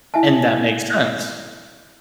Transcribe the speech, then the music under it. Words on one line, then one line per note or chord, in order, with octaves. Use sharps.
and that makes sense.
E4 E5 G#5 A5